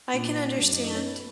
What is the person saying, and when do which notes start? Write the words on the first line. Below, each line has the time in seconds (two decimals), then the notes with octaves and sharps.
I can understand.
0.14 A#2 D4
0.59 F#2 D4
0.72 D#4
0.82 D#4
0.95 C#4
1.06 B3